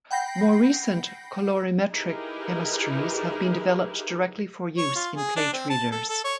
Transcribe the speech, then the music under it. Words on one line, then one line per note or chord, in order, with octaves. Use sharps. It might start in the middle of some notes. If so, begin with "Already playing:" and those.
More recent colorimetric chemistries have been developed directly for use in plate readers.
F#5 G5 B5 G6 A#6 C7
D#4 E4 G4 G#4 A#4 B4
C#5
F4
G#4
D4
C4
A5
A4
A4
C#5